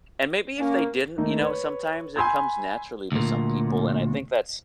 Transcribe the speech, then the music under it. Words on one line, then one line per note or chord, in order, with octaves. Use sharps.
and maybe if they didn't, you know, sometimes it comes naturally to some people, and I think that's
A#3 C#4
D#3 A3 A#3 D#4
B4 C#5
G#5 B5 C6 E6 G6 G#6
D2 A#2